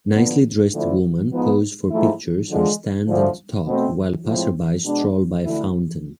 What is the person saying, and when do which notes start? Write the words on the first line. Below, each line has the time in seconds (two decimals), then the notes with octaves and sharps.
Nicely dressed woman pose for pictures or stand and talk, while passersby stroll by a fountain.
0.14 D3 F3 B3
0.72 D2 D3 F3 A3 E4
1.32 G#2 F3 B3
1.90 G#2 F3 A3 E4
2.49 D3 F3 G#3
3.08 D2 D3 F3
3.67 B2 A3 C4
4.26 A2 F3 G#3 C4
4.84 B2 G#3 B3 D4
5.43 D2 D3 A3 E4